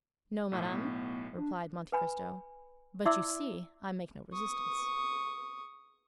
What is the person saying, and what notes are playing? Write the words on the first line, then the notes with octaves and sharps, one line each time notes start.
"No, madame," replied Monte Cristo; "but you see I make no resistance."
B1 A2
B3
D4
B4 G#5 B5
E4 D5 E5 C6 D6 E6
C#6 D#6